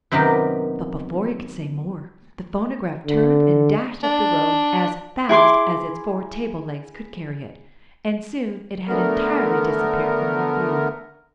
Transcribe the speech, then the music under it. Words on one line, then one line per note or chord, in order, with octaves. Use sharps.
But before he could say more the phonograph turned and dashed up the road as fast as its four table-legs could carry it, and soon it had entirely disappeared from their view.
F#2 C3 D#3 B3 G4 A#4
D3
D4
E4 G#4 C6 D6
D3 A3 B3 A#4